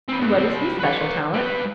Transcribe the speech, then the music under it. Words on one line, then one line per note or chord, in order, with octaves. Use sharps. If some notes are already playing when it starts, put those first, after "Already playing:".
"And what is his especial talent?"
C4 B4
G2
G3 C4
B4 C#5
G3 B4